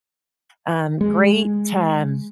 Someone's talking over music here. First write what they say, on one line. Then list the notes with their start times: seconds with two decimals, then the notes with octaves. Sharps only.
Um, great, um,
1.01 G#3